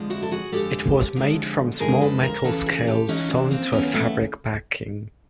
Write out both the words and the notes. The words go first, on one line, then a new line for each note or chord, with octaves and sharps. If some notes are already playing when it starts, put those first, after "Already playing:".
It was made from small metal scales sewn to a fabric backing.
Already playing: F2 D3 F3 G#3
E4 F#4
A4
F#4 G#4
F2 D3 F3 G#3 G4 A4
F2 D3 F3 G#3
F2 D3 F3 G#3 G#4 A#4
A4 B4
A#4 C5
D2 C#3 E3 A4 B4
G#4 A#4
G#4
G4 A4
D2 C#3 E3 C#4 D#4
C4 D4
A#3 C4
D2 C#3 E3 B3 C#4
A3 B3